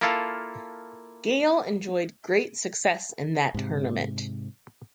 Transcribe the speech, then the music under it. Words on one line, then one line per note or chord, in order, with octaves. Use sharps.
Gayle enjoyed great success in that tournament.
A#3 E4 F4 A4 F5 A5
G#2 C3